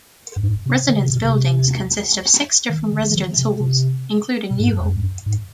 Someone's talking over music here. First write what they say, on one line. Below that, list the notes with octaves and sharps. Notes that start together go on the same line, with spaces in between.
Residence buildings consist of six different residence halls, including New Hall.
G2
G#2
C3
D3
C3
B2
C3
D#3
D3
D#3
F3
C3
C3
B2
G#2
G2
F2
G2
G#2